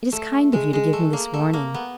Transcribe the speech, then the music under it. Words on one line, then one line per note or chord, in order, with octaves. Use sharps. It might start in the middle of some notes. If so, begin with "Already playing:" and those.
It is kind of you to give me this warning.
A3
G#3
G#3
A3
A#3
A3
A#3
B3